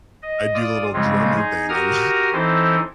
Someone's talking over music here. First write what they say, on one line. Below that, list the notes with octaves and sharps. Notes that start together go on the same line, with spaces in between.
I do the little drumming thing on my
D#5
F4 D5 D#6
C#3 F3 G3 G#3 C4 F4
D#4 G#4
F#4 G4 A#4 A#5 D#6 F6
E3 C4 D#4 E4 A4 C5